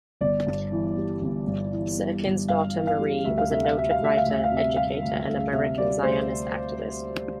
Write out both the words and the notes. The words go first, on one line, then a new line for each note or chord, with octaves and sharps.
Syrkin's daughter Marie was a noted writer, educator and American Zionist activist.
G1 D5
G2
E3
G3
G1
G2
E3
G3
G1
G2 F5
E3
F5
G3
D2 E5
F5
C3 E5
F5
G3 E5
F5
D2 E5
F5
D2 E5
F5
C3
E5
G3 F5
D2
D2
C3 E5
G3 D5
D2 C5